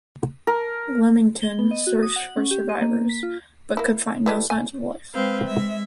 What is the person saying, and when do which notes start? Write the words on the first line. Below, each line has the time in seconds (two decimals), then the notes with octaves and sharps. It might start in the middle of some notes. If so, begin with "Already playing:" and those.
"Leamington" searched for survivors but could find no signs of life.
0.47 A#4
1.42 G7
1.59 B3
1.71 D#5
1.87 F#4
2.03 D#6
2.16 F#5
2.37 C#4
2.51 G4
2.69 D#5
2.81 A#3
3.09 B6
3.23 F4
3.77 A#3 E4
4.26 E3 G3 A3
4.50 G#5
5.14 G#3 C4 B4 F5
5.46 G#3 E5